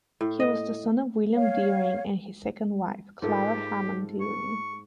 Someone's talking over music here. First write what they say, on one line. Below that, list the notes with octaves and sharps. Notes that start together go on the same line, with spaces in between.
He was the son of William Deering and his second wife, Clara Hammond Deering.
A2
D#5
C#5 F5
G#2 F4 G4 A4 A#4
C#6